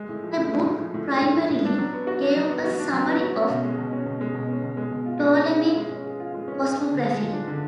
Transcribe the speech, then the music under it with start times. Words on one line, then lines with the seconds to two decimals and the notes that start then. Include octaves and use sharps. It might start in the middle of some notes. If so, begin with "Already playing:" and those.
The book primarily gave a summary of Ptolemic cosmography.
Already playing: G#3
0.09 A2
0.23 F3
0.37 A2
0.51 G#3
0.66 A2
0.79 F3
0.94 A2
1.07 G#3
1.22 A2
1.36 F3
1.51 A2
1.65 D4
1.78 F#3
1.93 B3
2.07 F#4
2.22 D4
2.36 F#3
2.50 B3
2.64 F#4
2.79 D4
2.93 F#3
3.07 B3
3.21 F#4
3.35 C#4
3.50 B2
3.64 G#3
3.78 B2
3.93 C#4
4.06 B2
4.21 G#3
4.34 B2
4.49 C#4
4.63 B2
4.77 G#3
4.92 B2
5.06 F4
5.20 G#3
5.34 C#4
5.49 G#4
5.63 F4
5.77 G#3
5.92 C#4
6.06 G#4
6.20 F4
6.34 G#3
6.48 C#4
6.63 G#4
6.76 D4
6.91 D3
7.05 G#3
7.20 F4
7.33 D4
7.47 D3